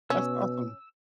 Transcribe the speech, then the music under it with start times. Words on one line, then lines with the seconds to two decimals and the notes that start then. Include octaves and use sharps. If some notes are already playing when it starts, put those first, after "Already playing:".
that's awesome.
0.10 B2 C#4 E6